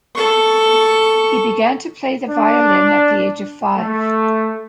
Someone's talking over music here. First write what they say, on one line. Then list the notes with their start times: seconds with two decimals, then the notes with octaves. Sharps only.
He began to play the violin at the age of five.
0.16 A4 C#6
2.29 D4
3.76 A3